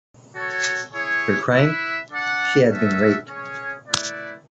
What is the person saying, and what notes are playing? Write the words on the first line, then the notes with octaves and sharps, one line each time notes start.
Her crime: she had been raped.
F#4 A4 C#5
E4 G#4 C#5
E4 B4 E5
D4 A4 D5 F#5
C#4 F#4 A4 E5
C#4 G#4 C#5
A3 E4 B4 D5